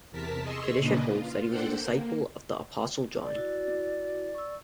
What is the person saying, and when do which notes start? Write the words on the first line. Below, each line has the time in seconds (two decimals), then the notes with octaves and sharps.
Tradition holds that he was a disciple of the Apostle John.
0.11 E2 C3 A#4 A5 B6
0.42 G#4 D#5 C6 C#6 E6
0.78 A#2 C#3 A#3 D4 B4 D#5
1.08 F4
1.48 A#3 D4 A4 C5 F#5 G5
1.79 A#3
3.22 D5
3.36 E4 F#4
4.34 C#6 E6